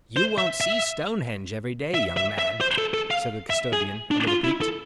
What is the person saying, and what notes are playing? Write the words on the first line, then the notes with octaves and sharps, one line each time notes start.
"You won't SEE Stonehenge every day, young man," said the custodian, a little piqued.
C5
E5
E5
E5
E5
E5
C5
A4
A4
F5
E5
G#4
D4
F4
E4
A4